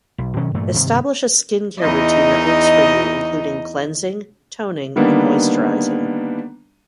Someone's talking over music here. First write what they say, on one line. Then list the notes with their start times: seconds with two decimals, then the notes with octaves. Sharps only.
Establish a skincare routine that works for you, including cleansing, toning, and moisturizing.
0.18 B1
0.37 B2 D#3 F#3 C#4
0.54 G2 A#2 E3 A3
0.74 G2 C3 D#3
1.80 E2 D#4 D#5
4.96 D3 D#3 G3 A#3 B3 D4